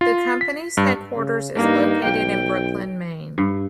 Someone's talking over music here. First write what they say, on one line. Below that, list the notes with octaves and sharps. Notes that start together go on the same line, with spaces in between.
The company's headquarters is located in Brooklin, Maine.
F4
B6
G2
C#3
G2 A#3 D#4
B1 G5
G2